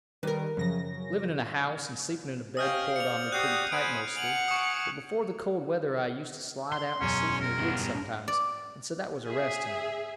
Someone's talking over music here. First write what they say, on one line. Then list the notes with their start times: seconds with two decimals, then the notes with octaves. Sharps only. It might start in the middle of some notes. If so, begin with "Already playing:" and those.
Living in a house and sleeping in a bed pulled on me pretty tight mostly, but before the cold weather I used to slide out and sleep in the woods sometimes, and so that was a rest to me.
0.23 D#3 G3 A#4 B4
0.57 F#2 C#3 F3 F#3 A#6
2.57 C#4 G4 D#5 F5 D#6 F6 G6
2.96 C5 D5 C#7 F7
3.32 F#4 G4 D5 D#6 F#6 C7
3.72 C5 G#5 B5 D7
4.16 F#5 G#5 C#7 D7 F7 F#7
4.48 G#5 C#6 D#6
6.72 C6
7.01 E1 F#2 C#4
7.41 A#4
7.58 G2 B3
8.28 D5
9.26 G#4 E5